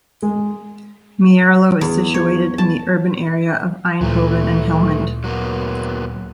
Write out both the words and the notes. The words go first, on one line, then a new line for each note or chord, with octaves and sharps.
Mierlo is situated in the urban area of Eindhoven and Helmond.
G#3
E2
C#5
A5
D2 A#2 E3 A3
F#3 A#3 B3